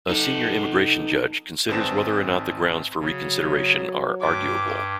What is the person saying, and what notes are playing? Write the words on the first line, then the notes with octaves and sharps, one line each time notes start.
A Senior Immigration Judge considers whether or not the grounds for reconsideration are "arguable".
D#4 A4
G#1 G#2 C4 B4 A5 E7
C#3 F#3
G2 D6